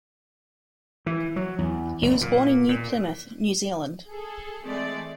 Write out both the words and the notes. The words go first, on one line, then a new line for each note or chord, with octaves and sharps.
He was born in New Plymouth, New Zealand.
E3
F#3
E2
F#1
A#2
A#2
G#4 A4
E3 G#3 A3 C4 D5